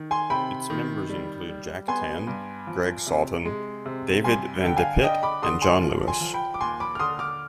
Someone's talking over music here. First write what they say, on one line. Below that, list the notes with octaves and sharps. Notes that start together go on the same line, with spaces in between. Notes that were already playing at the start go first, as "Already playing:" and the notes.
Its members include Jack Tann, Greg Sawton, David Van DePitte and John Lewis.
Already playing: D#3
G#5 C6
C3 G5 B5
D#3
G3
G3
B3 G#5 C6
G2
F3
C3
G#3
C3
G2 G#5 C6
D3 G5
F5 G#5
D4 D#5 G5
B5 D6
D3 C6 D#6
G#5 C6
F3
G#5 C6
F3
G5 B5
D6
D#2 G#5 C6
B5 D6
F6
D3 C6 D#6
D6 F6